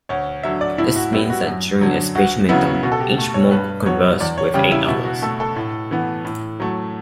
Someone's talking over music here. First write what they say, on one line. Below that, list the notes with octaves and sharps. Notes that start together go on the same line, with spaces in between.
This means that during a "Spatiamentum" each monk will converse with eight others.
D2 C#5
D3 F#3 E5
D5
A2 E4
F#4
G3 B3 E4
F#4
F#2
D3 F#3
D2 F#4
C#3 F#3 B3 E4
B2 F#4
A4
G4
A3
C#5
G2 B4
F#3 B3 C#5
E2 D5
C#5
C#3 G3 G4
E4
B2 E4
F#4
A3 A4
A4
A2
E3 B3
A2
F#3 A3